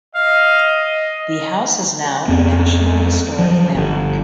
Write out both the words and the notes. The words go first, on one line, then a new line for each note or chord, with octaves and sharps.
The house is now a National Historic Landmark.
D#5 F5
F2 B3 C4
F3 F#3
G1 B2 D3